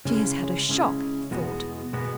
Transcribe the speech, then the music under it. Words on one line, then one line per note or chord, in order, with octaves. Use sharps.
"She has had a shock," he thought.
C#3 G#3 C#4 E4
C#3 G#3 C#4 E4
E2 B2 G#3 B3 F#4
B2 G#3 B3 F#4